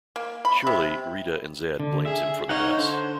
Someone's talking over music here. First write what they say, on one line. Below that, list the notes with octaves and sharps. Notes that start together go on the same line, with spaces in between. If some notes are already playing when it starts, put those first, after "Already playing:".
Surely, Rita and Zedd blames him for the mess.
A#3
B5
C3
D3
G#4 E5
D#4 C#5 F5 F#5
D3 C5